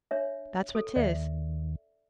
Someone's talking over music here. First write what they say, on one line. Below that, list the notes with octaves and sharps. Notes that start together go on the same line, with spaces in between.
"That's what 'tis."
D4 C#5 E5
A4
D#2 D5 E5